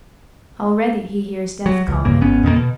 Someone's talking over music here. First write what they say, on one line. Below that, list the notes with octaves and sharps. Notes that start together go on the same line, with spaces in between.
Already he hears death calling.
F#3
C#2
C#2 G2 C#3 A#3
G#1 B3 C#4
F2 B2 D#3 A#3
B2